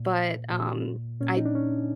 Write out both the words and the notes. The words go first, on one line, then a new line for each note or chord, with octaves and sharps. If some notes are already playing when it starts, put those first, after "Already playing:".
but, um, I d
Already playing: A#2
A#2
A#2 C#4
D#4
D4
C#4